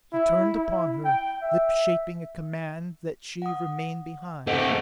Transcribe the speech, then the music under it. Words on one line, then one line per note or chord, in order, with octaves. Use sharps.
He turned upon her, lips shaping a command that she remain behind.
E4
E4
G5
E5
F#5 D#6
A3 C4 C5 D#5 F#5